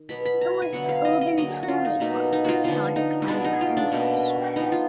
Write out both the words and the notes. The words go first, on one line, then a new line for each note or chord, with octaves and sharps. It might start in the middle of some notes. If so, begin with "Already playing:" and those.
It was urban trolley parks that saw declining attendance.
Already playing: D#3
B2 F#3 B3 B5
B5
A#5
G#5
D3 F#3 B3 F#5
F5
D#5
D#5
D3 F#3 A#3 D#5
F#4
F4
D#4
B2 F#3 A#3 D#4
D#4
F4 F#4
D3 F3 B3 F4
D#4
D#4
B2 G#3 B3 D4
D#4
F4
D4
B2 A#3
F3 B3 D#4
F4